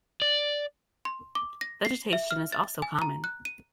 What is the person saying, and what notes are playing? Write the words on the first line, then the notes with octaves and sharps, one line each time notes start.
Vegetation is also common.
D5
C6
D6
A#6
C7
E5
F6
A6
G#5
A#5
F#6
D#7